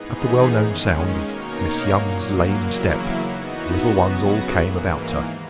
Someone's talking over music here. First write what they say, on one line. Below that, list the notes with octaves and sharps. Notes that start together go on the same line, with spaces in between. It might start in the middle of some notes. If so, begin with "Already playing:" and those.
At the well-known sound of Miss Young's lame step, the little ones all came about her.
Already playing: G#2 E3 B3 D#4 G#4
D#3 G#3 C#4
B2 A#3 D#4 A#4 C#5
A#2 F#3 A#3
E2 C#3 F#3 A#3 E4
E3 B3 D#4 F#4
C#3 F#3 B3 F#4
G#2 E3 A#3
D#2